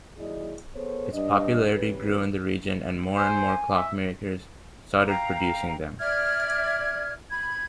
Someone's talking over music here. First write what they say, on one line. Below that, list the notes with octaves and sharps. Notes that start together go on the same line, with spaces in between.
Its popularity grew in the region and more and more clockmakers started producing them.
D#2 F#3 E4 G#4 D5 D#5
B3 G#4 A4 C5 C#5
G2 D4 D#5
D2 E3 C#4 G4 B4
C5 G#5
E5
F5 G5 A#5
D5 E5 F6 G#6
B5 G#6